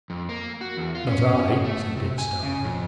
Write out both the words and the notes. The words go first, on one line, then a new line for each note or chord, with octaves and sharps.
"Not I," said Dick, stoutly.
F2
A#3
F#4
E2
F4
C#4
A3
C3
G#5
C#3
F2